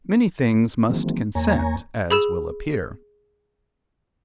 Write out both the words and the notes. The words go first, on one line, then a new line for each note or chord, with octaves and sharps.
Many things must consent, as will appear.
D#3 E3 F#3 G#3 A#3 C4
E2 A#3 C#5 G#5 A#5
G#4 B5 E6 E7